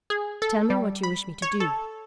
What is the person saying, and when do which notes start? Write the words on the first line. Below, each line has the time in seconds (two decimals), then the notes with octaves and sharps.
Tell me what you wish me to do.
0.10 G#4
0.42 A4
0.70 G3
1.03 B5
1.42 C#5
1.60 A4